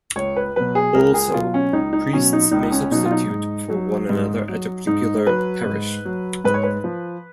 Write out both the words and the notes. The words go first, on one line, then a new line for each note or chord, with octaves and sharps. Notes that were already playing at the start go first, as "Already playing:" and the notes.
Also, priests may substitute for one another at a particular parish.
C#2 C#5
B4
B2 F#3 B4
G#4
C#2 A#4
G#4
B2 F#3 F4
C#4
C#2 D#4
D#4
B2 F#3 C#4
D#4
C#2 D#4
C#4
B2 F#3 D#4
F4
D#4
G#2
F#3
G#2
F#3
G#2 D#4
F#3 B4
G#2
F#3
G#2 B4
C#5
B4
F3